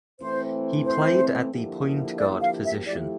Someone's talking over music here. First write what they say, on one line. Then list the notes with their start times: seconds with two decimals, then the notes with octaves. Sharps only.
He played at the point guard position.
0.19 E3 A3 C4 E4 C5
0.85 C5
1.53 D3 F3 A#3 E4 G4
2.19 D5
2.42 F5
2.64 E5
2.86 F3 A3 E4 G4 D5